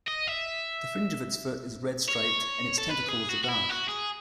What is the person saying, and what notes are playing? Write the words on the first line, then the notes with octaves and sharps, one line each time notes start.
The fringe of its foot is red-striped and its tentacles are dark.
D#5
E5
C#5
A4
B4
G#4
F#4
F#4
E4
F#4
G#4